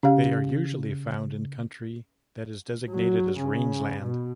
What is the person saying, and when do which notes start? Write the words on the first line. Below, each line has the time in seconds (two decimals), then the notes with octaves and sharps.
They are usually found in country that is designated as rangeland.
0.03 C#3 C#4 G4 F5
2.90 F#3
3.38 C#3
4.02 B2